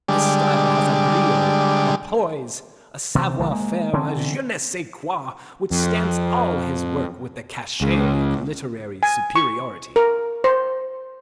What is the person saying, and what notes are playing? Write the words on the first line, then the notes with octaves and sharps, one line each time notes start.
His style has a brio, a poise, a savoir faire, a je ne sais quoi, which stamps all his work with the cachet of literary superiority.
D3 G3 G#3
C3 E3 C4
C2 D#3 F#3 A3
G#3 A#3
D3 E3 C4 C#4
F2
C#2
G#5
C#6
A#4
C5